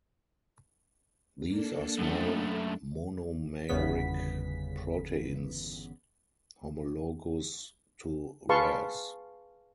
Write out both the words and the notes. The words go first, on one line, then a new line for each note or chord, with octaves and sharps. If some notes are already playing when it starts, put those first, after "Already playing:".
These are small monomeric proteins homologous to Ras.
A#3 D4 A4
F#2 A3
G1 E2 C#3 B3 B6
G#4 B4 F5 A5 C6 C#6